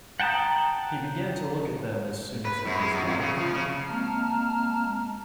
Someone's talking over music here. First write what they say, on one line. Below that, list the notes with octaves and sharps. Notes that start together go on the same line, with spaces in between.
He began to look at them as soon as it was light.
F#5 G5 A5 A#5 D#6
B4
F#2
G#3
F#2
F2
C#3
F3
C#3
G#3 A#3 C4 A5 A#5 F6